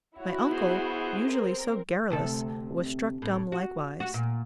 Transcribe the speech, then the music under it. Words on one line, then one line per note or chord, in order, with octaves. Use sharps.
My uncle, usually so garrulous, was struck dumb likewise.
E4 F#4 C#5
B3 G#4 C5
C4 A#4
D2 C3 A4
A2
F#4
F#4
A#2